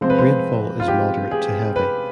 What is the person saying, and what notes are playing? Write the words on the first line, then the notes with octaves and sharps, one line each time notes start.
Rainfall is moderate to heavy.
C3 F3 G#3 C4 C5
B4
C5
F4
G4
G#4
B4